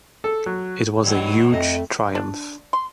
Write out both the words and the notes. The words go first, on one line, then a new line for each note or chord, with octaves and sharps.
It was a huge triumph.
A4
F#3
B2 E3 F#3 G3
F2 A3 D#5
D4
C6